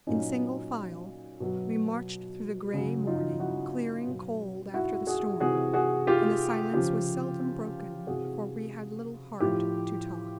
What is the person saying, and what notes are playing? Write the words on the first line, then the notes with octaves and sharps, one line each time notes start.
In single file we marched through the gray morning, clearing cold after the storm, and the silence was seldom broken, for we had little heart to talk.
A#2 F#3 C#4 D#4
B2 F#3
C#3 F#3
D#4 F4
E4 F#4
B2 F#3
E4 F#4
F#4 G#4
C3 E3 F#4 G#4
F#4 G#4
F4 G4
C#3 F3 F4 G4
C3 E3 F#4 G#4
A2 F3 F4 G4